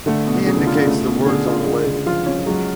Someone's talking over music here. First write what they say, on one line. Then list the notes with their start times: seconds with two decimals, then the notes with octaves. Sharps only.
He indicates the words on the label.
0.06 D3 A3
0.26 B2
0.47 C#3 G#4
0.57 D3
0.66 C#3 F4
0.76 D3
0.84 C#3
0.87 A3
0.98 C#3
1.06 B2
1.26 D3 G#4
1.47 F4
1.66 D3 G#3
1.86 C#3
2.06 F3 F4
2.26 C#4
2.38 F3
2.46 F#3 G#3